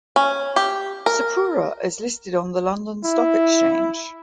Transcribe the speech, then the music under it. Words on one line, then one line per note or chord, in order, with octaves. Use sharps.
Sepura is listed on the London Stock Exchange.
C#4
G4
A#4
E4